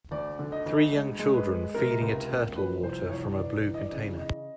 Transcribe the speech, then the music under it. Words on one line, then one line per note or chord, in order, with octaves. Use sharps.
Three young children feeding a turtle water from a blue container.
D2 D5
D3
D#5
D2
G#3
G#3
B4
G#3
C3 A#4
C#2
A#3
F3 B4
C2 C5
C2 C#5
G1 D5
E3
D#5
D5
C#3
C#3 D#5